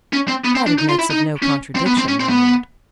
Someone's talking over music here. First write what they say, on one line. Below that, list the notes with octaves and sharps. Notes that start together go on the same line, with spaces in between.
"That admits of no contradiction, my lord."
C#4
C4
B3
C4
D4
D#4
F4
E4
D#4
C#4
C4
B3
C4
C#4
C4
B3